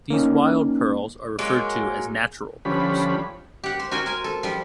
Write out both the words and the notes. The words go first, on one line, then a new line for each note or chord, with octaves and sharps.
These wild pearls are referred to as "natural" pearls.
A#3 C#4 D#4
F#3 G#3 A#3 D#4
D3 F3 G3 C#4 B5
G4 F#5
C5
F#4 A#4 C5 G5 G#5
A#4 G#5
A4
F3 G3